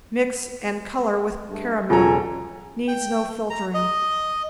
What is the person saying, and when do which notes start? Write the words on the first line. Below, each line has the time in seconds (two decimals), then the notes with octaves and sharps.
Mix and color with caramel; needs no filtering.
1.49 G2 A3
1.90 E1 C#3 F4 A4 G#5 A#5
2.88 G5
3.50 A#5
3.74 D#5